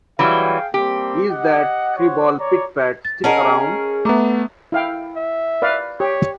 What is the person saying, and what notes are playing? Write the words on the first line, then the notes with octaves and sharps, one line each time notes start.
Is that screwball Pit-Pat still around?
E3 F#3 G3 G#4 F5 G5
G3 A#3 C4 G4
D#5 F#5
C5 C#5 F#5
C#5 D5 A#5
A6
C#4 G#4 A#4 D#5 F#5 A5
A3 B3 E5 A#5 D6
E4 F5 G5
E5
B4 D5 F5
G4 C#5